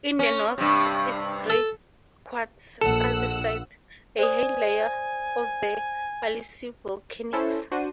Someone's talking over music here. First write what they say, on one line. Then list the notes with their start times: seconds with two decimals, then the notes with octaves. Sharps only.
In the north is grey quartz andesite, a higher layer of the Ainslie Volcanics.
0.19 C#4
0.58 G2 C3
1.50 A4
2.81 A#1 A4 F#5 E6
4.19 C5 D5 G#5 D#6
7.33 C#4 E4 A4 C5
7.71 D4 F#4 C5 D#7